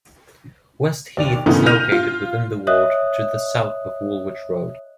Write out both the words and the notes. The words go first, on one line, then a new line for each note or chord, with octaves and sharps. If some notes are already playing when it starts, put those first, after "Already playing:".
West Heath is located within the ward to the south of Woolwich road.
D#2 D5 F7
E2 A#2 C#3 A3 B3 D#4
F6 G6 A#6 D#7 F7
F4
C#5 D#5 E5 D#6 F#6